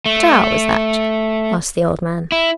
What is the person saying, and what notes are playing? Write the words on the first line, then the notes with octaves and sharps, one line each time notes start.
"What hour was that?" asked the old man.
A3
E4